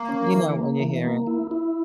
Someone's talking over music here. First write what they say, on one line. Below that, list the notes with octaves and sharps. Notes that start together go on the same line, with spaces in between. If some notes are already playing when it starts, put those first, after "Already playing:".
You know it when you hear it.
Already playing: A#3
C#4
E3
A#3
E3
A#3
E4
E4